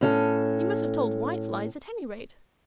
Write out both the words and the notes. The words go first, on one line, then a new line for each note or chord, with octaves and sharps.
You must have told white lies, at any rate.
A2 C#4 A4